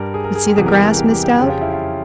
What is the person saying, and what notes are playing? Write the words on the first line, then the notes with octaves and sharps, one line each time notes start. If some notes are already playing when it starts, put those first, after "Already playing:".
But see the grass missed out!
Already playing: G2 G3 A#4
G#4
A#4
G#4
G4
E2 C3 E3 G3 G#4
A#4
G#4
G#4
G4
G4
G4
F2 C#3 F3 G4
F4
E4
F4